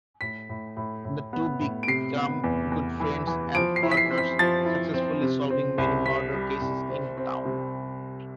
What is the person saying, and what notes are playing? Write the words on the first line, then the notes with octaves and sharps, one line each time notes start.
The two become good friends and partners, successfully solving many murder cases in town.
A2 B6
A2
A2
A2
B3
A2
D7
C3 C7
B3
E2
E2
E3
E3
F3 D7
C7
E4
B6
C7
C4
B6
F3 A6
E4
C4
C3
C4
C2
C3 B6
G3
C2
C4
C4
C3